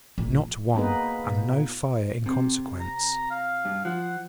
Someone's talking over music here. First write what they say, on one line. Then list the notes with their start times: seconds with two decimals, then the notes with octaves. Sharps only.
"Not one, and no fire in consequence."
0.18 A#1
0.74 A#3 B3 D#4 G#4 B4
1.27 A#2
2.26 C3
2.80 A#5
3.31 F5
3.65 G2
3.85 F3 F#5